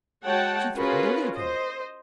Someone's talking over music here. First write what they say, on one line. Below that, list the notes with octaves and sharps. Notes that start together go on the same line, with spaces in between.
She threatened to leave him.
G#3 F#4 C#5 F#5 G5 A5
C#4 F4 F#4 G#4 A#4 B4
C5 D#5